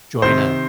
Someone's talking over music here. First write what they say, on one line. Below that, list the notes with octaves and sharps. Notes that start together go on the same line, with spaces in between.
join a
C3 D#3 C5